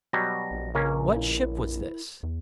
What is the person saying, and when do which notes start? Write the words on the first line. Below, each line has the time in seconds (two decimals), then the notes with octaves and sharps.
What ship was this?
0.13 B2 F#3 G3 A#6
0.51 A#1
0.75 C#2 C#3 A#3 C#4 A#4
1.16 E4
2.23 E2